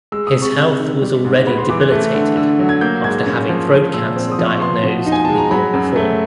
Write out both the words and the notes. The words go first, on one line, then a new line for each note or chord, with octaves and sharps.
His health was already debilitated after having throat cancer diagnosed the year before.
G#3 E6
D#6
C3
C#6
C3
D#3
G3
G#2
B3 B5
C6
E3 D6
F#6
A3
D3
D3
F#3
G#6
A#3 G6
G#2 G#6
C#4
F3
G#3
A#2 E6
C4 E6
D#6
F3
C#6
B3 C6
B2
D#4
G#5
G#3 A5
A#5
F#3 B5
F#2
A3